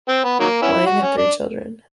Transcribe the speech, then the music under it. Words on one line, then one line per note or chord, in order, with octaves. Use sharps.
Lion had three children.
C4
B3
D#3 F#3 A#3
B3 C#4 E4
F#4
C#4
D4